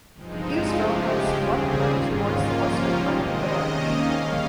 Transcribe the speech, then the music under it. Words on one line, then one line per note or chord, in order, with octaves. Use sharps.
Hughesville has one park towards the western part of the village.
G2 F3 G#3 C4 D#4
F4
C#3 F3 G#3 G4
D#2 C#3 G3 C4 G#4
G#2 D#3 A#3 C#4 F4
G#2 F3 A#3 C#4
G4
C3 D#3 G#3 C4 D#5
D#2 D#3 A#3 C#4
F5
C#3 G3 C#4 F5